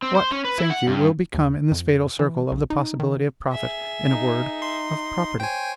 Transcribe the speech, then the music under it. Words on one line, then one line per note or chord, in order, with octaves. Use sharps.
What, think you, will become, in this fatal circle, of the possibility of profit,--in a word, of property?
C4
C5
C#4
B4
E4
F#5
G2
D#2
F2
E3
B1
D#4
D#3
G#4 E5
D#4
C6
C5 C#5 G5 G#5